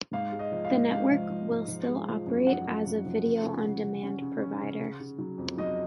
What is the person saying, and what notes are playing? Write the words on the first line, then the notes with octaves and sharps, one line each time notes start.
The network will still operate as a Video On Demand provider.
G#2 F5
G#3
D#5
F3
F5
G#2
G#2 F5
F3
F3
G#2
F3
G#3
F3
F#2
F3 F#5
F#2
F#2
F3
C#3
C#3
C#3
C#3
C#4
C#3
C#4
C#3
C#3
C#3
F#3
F2
F#3 D#5